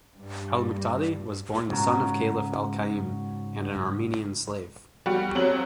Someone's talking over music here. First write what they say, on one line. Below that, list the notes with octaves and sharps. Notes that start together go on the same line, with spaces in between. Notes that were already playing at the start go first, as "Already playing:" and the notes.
Al-Muqtadi was born the son of Caliph al-Qa'im and an Armenian slave.
G2
G#2 C#3 F#4 A#5
G3 F#4 G4
F2 F#3 F#7